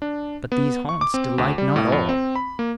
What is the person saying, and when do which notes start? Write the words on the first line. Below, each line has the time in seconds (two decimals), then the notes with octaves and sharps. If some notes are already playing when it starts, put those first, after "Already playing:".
But these haunts Delight not all.
0.02 D4
0.52 B3
0.89 C#6
1.01 D6
1.14 C4
1.38 D2
1.58 G3
1.76 A2
1.92 F2
2.09 C4
2.35 B5
2.59 A#3